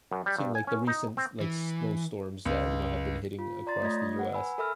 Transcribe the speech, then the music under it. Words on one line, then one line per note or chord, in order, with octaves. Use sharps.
seen, like, the recent s like, snowstorms that, you know, have been hitting across the US.
F#2
G3
G2
G#5
C#4
D#4
C4
E3
C#2
F4
D5 A#5 C6 A6
A3 F4 C#5 D#5 G#6 A#6
B4 F#5
G#5 B5 E6
A4 A#4 E5 B5 E6 F6